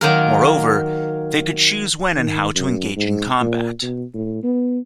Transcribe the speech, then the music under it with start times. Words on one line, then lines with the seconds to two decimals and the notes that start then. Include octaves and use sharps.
Moreover, they could choose when and how to engage in combat.
0.01 D#3 F#3 A#3 F4 A#4
2.16 D#3
2.55 F#2
2.96 G#2
3.41 A#2
3.82 B2
4.14 A2
4.43 B3